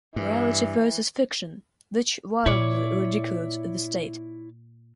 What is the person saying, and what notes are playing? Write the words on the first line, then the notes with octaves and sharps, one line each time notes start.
Reality versus fiction, which widely ridiculed the state.
G2 E3
A#2 E4 C#5 D5